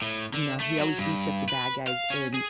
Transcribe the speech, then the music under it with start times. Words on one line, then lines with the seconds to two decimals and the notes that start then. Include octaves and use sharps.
you know, he always beats up the bad guys in
0.02 A2
0.34 D3
0.60 A3
0.77 F#3
0.98 G2
1.49 B4
1.88 F5
2.10 C#4
2.34 G#4